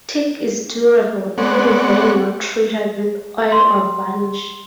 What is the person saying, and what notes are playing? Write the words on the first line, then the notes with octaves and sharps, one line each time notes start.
Teak is durable even when not treated with oil or varnish.
G#3 B3 C4 C#5 D5 F#5
C6